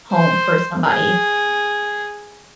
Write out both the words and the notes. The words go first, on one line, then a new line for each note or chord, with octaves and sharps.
home for somebody.
C5
G#4